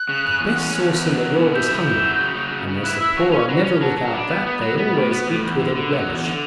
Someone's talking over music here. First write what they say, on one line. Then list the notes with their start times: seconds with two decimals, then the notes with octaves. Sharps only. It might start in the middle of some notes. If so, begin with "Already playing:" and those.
The best sauce in the world is hunger, and as the poor are never without that, they always eat with a relish.
Already playing: F#6
0.09 C#3
0.25 C#4
0.41 E2
0.58 C#4
0.73 E2
0.89 E2
1.05 F#3
1.22 E2
1.38 B2
1.54 E4 G6
1.71 C#3
1.87 E4
2.02 F#3
2.20 C#3
2.35 F#3
2.51 C#3
2.68 C#3
2.84 E4 F#6
3.00 E4 E6
3.16 F#3 C#6
3.32 C#4 C#6
3.48 F#3 B5
3.64 C#4
3.81 F#3 A5
3.97 F#3
4.14 D4 B5
4.29 B3
4.46 B3
4.61 F#3
4.78 B3
4.93 A2
5.11 B3
5.27 A2
5.42 E2
5.58 D3
5.75 D3
5.91 F#3
6.08 E2
6.24 D3